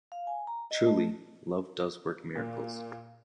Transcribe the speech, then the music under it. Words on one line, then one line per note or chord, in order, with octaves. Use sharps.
Truly, love does work miracles.
F5
G#5
A#5
D#5
A3
A#2